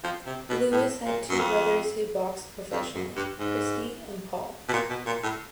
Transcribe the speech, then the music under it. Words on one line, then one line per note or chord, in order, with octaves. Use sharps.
Lewis had two brothers who boxed professionally; Christy and Paul.
F3
C3
B2
A2
A#2
F#2
F2
F2
F#2
G2
G#2
B2
A#2
B2
A#2
A2